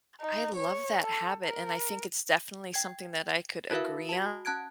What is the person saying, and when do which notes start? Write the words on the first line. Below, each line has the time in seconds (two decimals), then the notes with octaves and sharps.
I love that habit, and I think it's definitely something that I could agree on,
0.21 D#4
0.56 C#5
1.03 A4
1.44 A#4
2.74 G5 G#6
3.71 E4 F#4 A#4 B4 E5 F5
4.09 F#4 A5
4.45 C#4 A5 F#6 G#6 D7